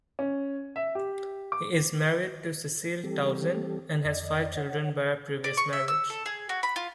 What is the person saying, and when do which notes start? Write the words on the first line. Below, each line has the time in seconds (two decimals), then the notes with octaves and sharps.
He is married to Cecile Tauzin and has five children by a previous marriage.
0.19 C#4
0.76 E5
0.95 G4
1.52 D6
3.04 E3 G3 C4 G4 A4
4.05 F2 D5 D#5
4.57 C#5 F#5
5.44 D5
5.57 C#6
5.73 E5
5.88 E6
6.10 A4
6.26 G#4
6.49 F#4
6.63 B5
6.76 F4